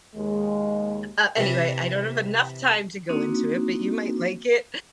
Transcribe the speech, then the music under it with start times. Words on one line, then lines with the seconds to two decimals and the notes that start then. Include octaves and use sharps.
Uh, anyway, I don't have enough time to go into it, but you might like it,
0.15 D#2 G#3
1.37 C3 E3
3.09 A#3 C4 D4 D#4 F#4